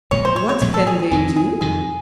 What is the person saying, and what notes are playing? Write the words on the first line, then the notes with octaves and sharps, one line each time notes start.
What can they do?
A#1 A#2 F3 G#3 C#5
C5
C#5
C#5
A#1 A#2 F3 G#3 C#5
A4
G#4
G#4
F2 C3 D#3 G#4
G#4
F2 C3 D#3 G#4